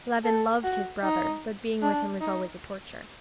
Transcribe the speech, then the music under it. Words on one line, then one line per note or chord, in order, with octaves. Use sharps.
Levin loved his brother, but being with him was always a torture.
A4
F#4
D#4
D4
D#4